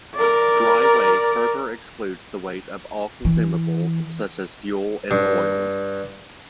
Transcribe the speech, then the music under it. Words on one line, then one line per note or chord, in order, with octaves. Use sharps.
Dry weight further excludes the weight of all consumables, such as fuel and oils.
A#4 D5
E3
G2